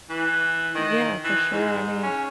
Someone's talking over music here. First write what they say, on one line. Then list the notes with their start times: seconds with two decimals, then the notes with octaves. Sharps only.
Yeah. For sure, I mean,
0.09 E3
0.75 D#3
1.24 E3
1.52 G#2
2.03 C#4